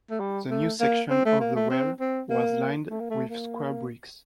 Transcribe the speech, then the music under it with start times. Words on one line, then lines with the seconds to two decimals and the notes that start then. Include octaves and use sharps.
The new section of the well was lined with square bricks.
0.11 A3
0.20 G3
0.51 A3
0.80 A#3
1.10 C4
1.26 A3
1.41 A#3
1.56 A3
1.70 C4
2.00 C4
2.30 A#3
2.90 A3
3.00 A#3
3.10 A3
3.30 A#3